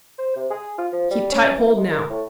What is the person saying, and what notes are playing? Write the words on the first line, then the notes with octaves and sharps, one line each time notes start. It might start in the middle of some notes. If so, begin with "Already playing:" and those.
Keep tight hold now.
C5
C3
G#4
F4
F3
G3
C#4
E3
G#3
A#4
A2